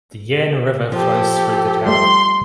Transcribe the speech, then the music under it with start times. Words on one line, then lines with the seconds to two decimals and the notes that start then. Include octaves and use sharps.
The Yan River flows through the town.
0.92 F3 G4 A4
1.86 G3 A3 C6